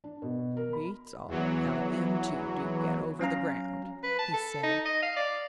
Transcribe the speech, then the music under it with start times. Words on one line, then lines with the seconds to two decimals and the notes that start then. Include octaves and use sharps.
"Beats all how them two do get over the ground," he said.
0.04 D4
0.22 B2
0.57 A#4
0.73 B5
1.28 E2 E3 F#3
3.19 F#3 C#4 F5 A#5
4.03 B4
4.19 A5
4.33 A4
4.63 D#4
4.85 D#5
5.02 F5
5.16 D5